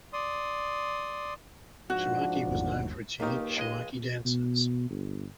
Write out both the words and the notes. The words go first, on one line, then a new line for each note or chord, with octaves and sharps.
Shamakhi was known for its unique Shamakhi dancers.
D5 C6 D#6
G#2 F3 D4 F#4 F#5
G1 D#2
C#2 D#3 A#3 D#4 G4
C#2 G#3 D#5
B2
G1